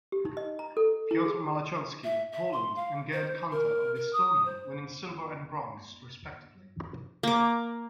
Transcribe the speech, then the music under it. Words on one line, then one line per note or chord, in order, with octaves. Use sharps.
Piotr Malachowski of Poland and Gerd Kanter of Estonia winning silver and bronze, respectively.
G4
D#4
D#5
A#5
A4
E4
G#4
E5
E5
C6
F5
C5
A#4
A#4
D#6
C5
A#3 D6